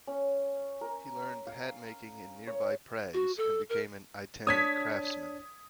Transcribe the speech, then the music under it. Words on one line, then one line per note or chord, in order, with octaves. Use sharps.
He learned hat making in nearby Prags and became an itinerant craftsman.
C#4
A#4
F5
C#5
F#4
A4
A#4
D4 C#5 D#6 G#6 B6